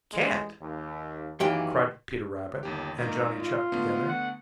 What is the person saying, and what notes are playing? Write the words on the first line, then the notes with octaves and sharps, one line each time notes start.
"Can't!" cried Peter Rabbit and Johnny Chuck together.
A1 G#3
D#2
F#2 D#3 E3 A#3 G4
G1 D#2 G4
G#1 A#3 D#4
F4
D3 A3 B3
F#5